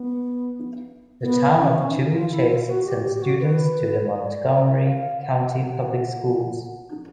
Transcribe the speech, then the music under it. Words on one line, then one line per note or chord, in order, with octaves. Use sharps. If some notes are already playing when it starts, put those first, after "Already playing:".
The town of Chevy Chase sends students to the Montgomery County Public Schools.
Already playing: B3
B3
C#4
D4
D#4
F4
E4
F4
F#4
G4
G4
G4
F#4
B4
D5
F5
F#5